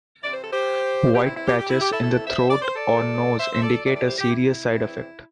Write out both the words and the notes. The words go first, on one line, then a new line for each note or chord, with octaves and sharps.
White patches in the throat or nose indicate a serious side effect.
C3 E3 C4 D5
C5
A4
G4 C5
E2 E3 C4 G4
E4
E4
G4
G4
E4
G4
E4 A4
A2 E3 A3 C4 E4 A4
C5 E5
D5
C5
A4 D5
G2 D3 A3
C5 E5
E5
A4 D5
A2 E3 G3 A4 D5
A4 D5
G4 C5
G4
E4
E2 E3 C4